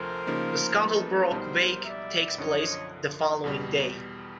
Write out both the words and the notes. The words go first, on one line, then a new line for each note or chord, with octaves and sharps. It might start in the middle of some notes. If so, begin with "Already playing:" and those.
The Scuttlebrook Wake takes place the following day.
Already playing: D2 C3 F3 A3 A#4 C5
C#3 F3 A#3 D#4
A4 B4
B1 B2 G3 B3 D#4 A#4 C5
D5 E5
F#2 D3 F3 C#5 D#5
E2 B2 G3